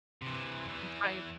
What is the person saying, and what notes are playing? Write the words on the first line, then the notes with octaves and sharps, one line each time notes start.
And try an
C3 E3
E2 E3